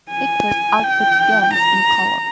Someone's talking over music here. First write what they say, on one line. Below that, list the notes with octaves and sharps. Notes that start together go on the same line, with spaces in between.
It could output games in color.
G#5
G5
A#5